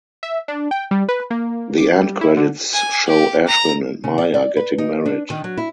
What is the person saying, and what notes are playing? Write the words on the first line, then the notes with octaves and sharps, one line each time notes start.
The end credits show Ashwin and Maya getting married.
E5
D4
G5
G3
B4
A#3
D6
G3
E4
D3
G#5
G4
A#5
C#3
D5
D5
B4
D#4
D4
D#3
F#3
E4